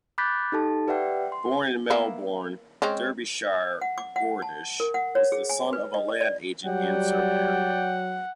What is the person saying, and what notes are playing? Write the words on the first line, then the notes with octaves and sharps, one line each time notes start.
Born in Melbourne, Derbyshire, Ordish was the son of a land agent and surveyor.
B5 D6 F#6 G6 A6 B6
D#4 G4 A4 A5
G4 B4 D5 E5 F#5 G5
C6
A#3 B3 E4
G#3 C4 C#4
F#5
D6
F#5
A5
A#4
F#5
C#5
G#4
G#5
B4
D#5
D5
F#3 G3 D5 F#5 G5